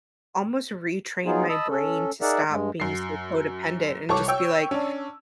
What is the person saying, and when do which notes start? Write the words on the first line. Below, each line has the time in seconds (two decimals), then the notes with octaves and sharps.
almost retrain my brain to stop being so codependent and just be like,
1.26 F#3 B3 D#4 F4 G#4
1.49 D#5 A5 B5 D#6 E6
1.69 C#4 A4
2.21 D#4 G#4 A#4 D5 E5 F#5
2.50 G2 G#3
2.80 F#2 C7
4.09 C2 A4 C#5 C#6 D6
4.28 C#5 G5 C#6 E6
4.71 C#4 D4